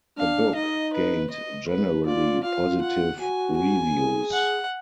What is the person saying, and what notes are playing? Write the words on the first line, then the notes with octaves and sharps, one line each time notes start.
The book gained generally positive reviews.
D4 F5
D#4 D#5
B4
D#5
B4
F4 D5
F4 F5
F#5
F#4 G#5
G#5
G#4
F#5